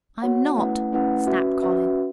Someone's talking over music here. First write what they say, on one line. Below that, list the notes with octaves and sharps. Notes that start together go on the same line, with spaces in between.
"I'm not!" snapped Colin.
B3 F#4 C#5 F#5
A3 C#4 E4 B4 F#5
A3 C#4 E4 B4 F#5
C#4 F#4 B4 E5
C#4 F#4 B4 E5